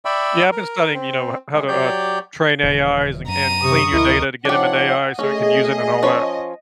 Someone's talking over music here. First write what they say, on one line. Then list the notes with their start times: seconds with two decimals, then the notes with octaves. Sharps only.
Yeah, I've been studying, you know, h how to, uh, train AIs, and and clean your data to get 'em into AI so you can use it and all that.
0.05 D5 E5 G5 B5 C#6 E6
0.51 A#4
0.94 C4
1.54 C3 G3 G#3 G#4
1.68 F#3 G4 C#5 D5 G6
2.63 D#1 C#3 E3
3.28 F#2 A#5 D#7
3.61 C3 C#6 D#6
3.93 D2 C3 F3 E4 A#4 D#5
4.45 F3 D4 D#4 G4 C#5 F#5
5.19 A3 C#4 G#4 D#5
6.03 F3 C#4 C#5